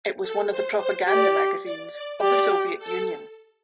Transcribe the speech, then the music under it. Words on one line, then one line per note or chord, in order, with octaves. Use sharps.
It was one of the propaganda magazines of the Soviet Union.
A4
C5
C5
G4 D5
D5
D5
G4 D5
A4